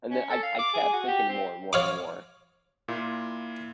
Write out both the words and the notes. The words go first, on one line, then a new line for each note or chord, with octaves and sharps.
And then I I kept thinking more and more and more,
C#4
A4
F5
D6
G#4
F#4
G4
C4
C#5 F5 D6
A#2 E4 F4